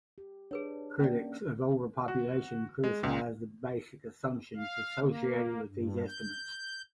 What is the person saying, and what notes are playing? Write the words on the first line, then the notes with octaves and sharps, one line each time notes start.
Critics of overpopulation criticize the basic assumptions associated with these estimates.
G4
D4 G#4 B4 C#5
A#3 C#4 D5
F#4
G#3
C#2
F5
A#3
G2
G6